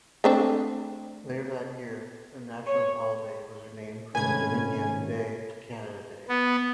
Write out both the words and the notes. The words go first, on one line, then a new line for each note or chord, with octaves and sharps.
Later that year, the national holiday was renamed from Dominion Day to Canada Day.
A3 C4 D4
C#5
G#2 C3 D#3 A3 C#4 B4 G#5 G#6
B3